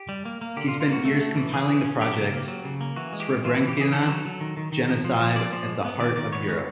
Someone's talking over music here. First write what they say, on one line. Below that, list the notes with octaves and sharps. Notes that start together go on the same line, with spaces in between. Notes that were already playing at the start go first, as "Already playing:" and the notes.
He spent years compiling the project "Srebrenica - genocide at the heart of Europe".
Already playing: G4
G3
A#3
A#3
D3 G4
F4
D3
F4
A#3 F#4
A3
A3
E3
E3 G#4
E3
C#4
F#3 G4
C#3
A#3
F#3
C#3
A#3
E3 F#4
G#3
G4
E3
E3 F4
E4
E3
G4
E3 G#4
D#3 A4
F#3
F#3
D#3
D#3
D#3
F3
F3
F3
F3 D5
F3
G#3
B3
D#3 D5
D#3 D5
B3 C#5
G#3